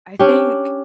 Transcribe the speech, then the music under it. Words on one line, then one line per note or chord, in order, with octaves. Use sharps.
I think
C#4 D4 G4